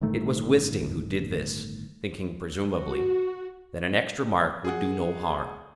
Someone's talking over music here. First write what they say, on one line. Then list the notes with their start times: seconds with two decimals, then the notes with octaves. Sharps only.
It was Wisting who did this, thinking, presumably, that an extra mark would do no harm.
0.01 G1 A2 D#3 A3
2.73 F#4
4.65 G#4 F#5